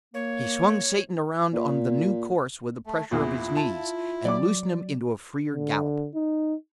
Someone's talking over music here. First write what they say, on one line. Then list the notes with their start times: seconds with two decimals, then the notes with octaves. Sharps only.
He swung Satan around on the new course with a pressure of his knees and loosed him into a freer gallop.
0.14 A#3 C#5
1.53 A#2
2.86 A3
3.11 A#1 E2 E4 F4 G#4
3.57 A5
4.25 F#3 D5 D6
5.49 D3
6.15 D#4